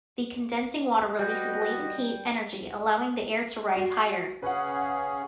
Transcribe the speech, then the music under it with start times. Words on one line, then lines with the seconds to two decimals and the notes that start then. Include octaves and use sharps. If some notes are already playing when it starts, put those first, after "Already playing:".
The condensing water releases latent heat energy allowing the air to rise higher.
1.19 G3 F#4 B4 D#5
3.76 F#4 C7
4.42 C#3 C#4 G#4 B4 F#5